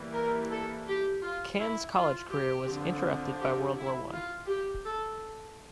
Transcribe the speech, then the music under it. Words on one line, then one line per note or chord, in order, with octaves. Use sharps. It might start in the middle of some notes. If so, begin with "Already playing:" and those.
Cann's college career was interrupted by World War One.
Already playing: E3 G3 A#3
A#4
A4
G4
F4
E4
F4
G4
D3 F3 C4
G4
E4
F4
G4
A4